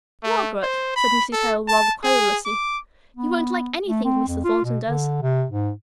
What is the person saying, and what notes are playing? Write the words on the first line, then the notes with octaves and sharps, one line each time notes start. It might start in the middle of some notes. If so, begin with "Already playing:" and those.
'Margaret!' said Mrs. Hale, rather querulously, 'you won't like anything Mr. Thornton does.
A3
C5
B5
A4
A5
G#4
D6
B3
A3
C4
F2
F4
B2
D3
C3
G#2